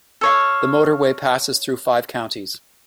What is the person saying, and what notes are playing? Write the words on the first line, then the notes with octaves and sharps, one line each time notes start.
The motorway passes through five counties.
A4 C#5 F5